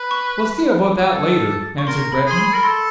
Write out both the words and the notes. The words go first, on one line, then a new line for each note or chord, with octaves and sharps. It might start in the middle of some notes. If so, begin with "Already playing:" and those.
"We'll see about that later," answered Breton.
Already playing: B4
C#6
A4
C#6
A#4 C6
B5
G#4 C6
B5
A#4 B5
A4 C6